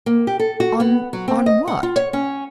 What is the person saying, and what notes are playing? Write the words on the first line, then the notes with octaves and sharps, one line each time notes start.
"On--on what?"
A#3
G4
A4
F#4
B3
F#3
C4
D#5
F#5
F4
C#5
C#4